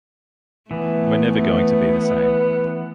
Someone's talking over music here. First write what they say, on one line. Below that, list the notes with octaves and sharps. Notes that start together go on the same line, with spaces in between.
We’re never going to be the same.
E3 A3 B3